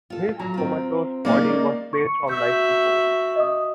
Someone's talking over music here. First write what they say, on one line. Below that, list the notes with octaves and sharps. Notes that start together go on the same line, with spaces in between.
His comatose body was placed on life support.
F4 A4
F#3 A#5
C4 F4
G#3 A#3 C#4 D#4 D5
C#6 C#7
F#4 E5 E6 G6
D#5 D#6